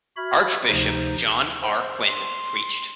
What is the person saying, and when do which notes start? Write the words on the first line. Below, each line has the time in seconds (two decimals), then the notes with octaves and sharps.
Archbishop John R. Quinn preached.
0.16 F#4 E5 B5 F6 G#6
0.68 D2 C3 F3 D#4 C5
1.61 C5
2.08 C6